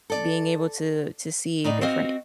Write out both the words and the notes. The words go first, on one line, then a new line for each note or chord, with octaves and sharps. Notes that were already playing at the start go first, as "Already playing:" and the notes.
being able to to see different a
A4 D5
A2 D#4 D5
C4 F#4 D#5 F5